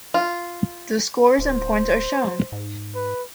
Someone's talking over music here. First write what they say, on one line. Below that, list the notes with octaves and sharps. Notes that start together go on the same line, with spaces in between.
The scores in points are shown.
F4
D1 C5
G#2
B4